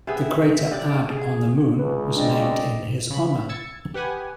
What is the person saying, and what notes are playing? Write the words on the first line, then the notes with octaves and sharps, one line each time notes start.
The crater Abbe on the Moon was named in his honour.
C3 B3 G#4 E5
C3 D5
G#4
C#2 B4
C4 D4 D5 D#5
C#3 B5
E6 G#6 A6 C#7
G4 B4 F#5 G#5 D#6